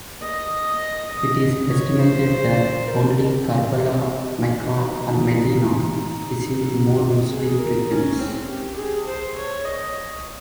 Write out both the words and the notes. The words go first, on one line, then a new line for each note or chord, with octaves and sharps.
It is estimated that only Karbala, Mecca and Medina receive more Muslim pilgrims.
D#5
D#5
C#5
C5
A#4
G4
D#4
G#4
A#4
C#4
C4
G4
G#4
C5
C#5
D#5